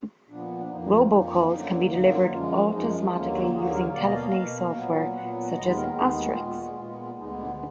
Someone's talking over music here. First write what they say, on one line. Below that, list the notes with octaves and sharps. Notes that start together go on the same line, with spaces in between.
Robocalls can be delivered autosmatically using telephony software, such as Asterisk.
A#2 F3 B3 D4
D4
F2 F3 A#3 D#4
F4
F2 F3 A#3 D#4
D4
F#2 D3 F#3 A#3 D#4
D4
F#2 D3 F#3 A#3 D#4
D#4
F4
F#2 F3 G#3 F4
F#4
F#2 F3 G#3 D#4
F4
D#2 D3 F#3 A#3 F4
F#4
D#2 D3 F#3 A#3 G#4
A#4
B2 A#3 D5
D#5
F5
B2 A#3
A#2 F#3 B3
A#2 F#3 B3 F#5
D#2 D#3 G#3 B3 D#5
A#4
D#2 D#3 G#3 B3 G#4
F4
A#2 G#3 B3 F#4
F4
F#4
G#4
A#2 G#3 B3 F4
D2 D3 G#3 B3 D#4
D4